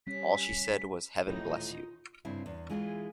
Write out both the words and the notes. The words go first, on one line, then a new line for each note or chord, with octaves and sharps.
All she said was 'Heaven bless you!
G3 C#4 B6
D#1 A2 E3 D#4 F4
G2 C#3 C4 E4 C5
E2
E3 G#3 E4 F4 G4 G#4